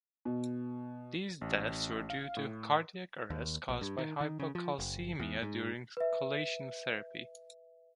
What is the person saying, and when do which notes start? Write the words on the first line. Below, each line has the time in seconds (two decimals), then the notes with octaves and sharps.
These deaths were due to cardiac arrest caused by hypocalcemia during chelation therapy.
0.25 B2
1.41 A1
2.10 F5
2.37 A2
3.30 D#2
3.69 A#1
3.81 G2
3.98 D#3
4.21 D#3
4.39 C#3
4.55 F3
4.79 F#1
5.20 E2
5.42 G#2
5.97 B4 E5